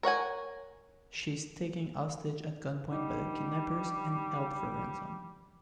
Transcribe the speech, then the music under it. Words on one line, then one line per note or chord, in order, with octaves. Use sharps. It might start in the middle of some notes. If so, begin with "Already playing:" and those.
She is taken hostage at gunpoint by the kidnappers, and held for ransom.
A#4 C#5 F#5 G#5
D3 G3 D#4